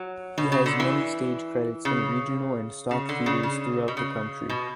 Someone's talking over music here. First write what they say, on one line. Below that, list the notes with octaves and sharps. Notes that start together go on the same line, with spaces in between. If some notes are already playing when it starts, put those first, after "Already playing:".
He has many stage credits in regional and stock theatres throughout the country.
Already playing: F#3
B2
C#3
D3
E3
C#3
C#3
D3
C#3
C#3
B2
C#3
B2